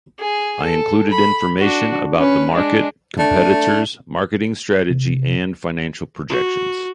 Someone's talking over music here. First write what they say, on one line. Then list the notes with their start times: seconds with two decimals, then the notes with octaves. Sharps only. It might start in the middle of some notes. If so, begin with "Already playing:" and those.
I included information about the market, competitors, marketing strategy, and financial projections.
0.19 G#4
0.63 A4
1.11 B5
1.60 D4 F#4
2.17 C#4 B4
2.51 G#3 D4
3.19 A3 D4
4.90 C3
6.30 F#4